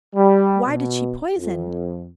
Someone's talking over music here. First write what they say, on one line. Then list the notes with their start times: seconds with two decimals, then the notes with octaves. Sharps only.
'Why did she poison?
0.16 G3
0.67 B2
1.38 F2